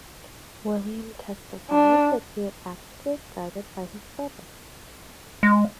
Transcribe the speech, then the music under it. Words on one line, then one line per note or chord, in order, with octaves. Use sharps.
William testified that he had acted as guided by his brother.
D4
G#3